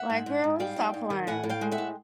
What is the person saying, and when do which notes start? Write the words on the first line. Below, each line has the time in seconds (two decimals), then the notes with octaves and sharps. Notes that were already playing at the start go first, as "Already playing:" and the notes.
Like, "Girl, you stop playing."
Already playing: E5 F#5
0.10 G#2
0.26 G#2
0.44 G#2
0.60 G3 F5 G5
0.76 G#2
0.94 G#2
1.10 D#3
1.27 A2 F#5 G#5
1.44 A2
1.49 F5 G5
1.61 G#3
1.71 E5 F#5
1.78 A2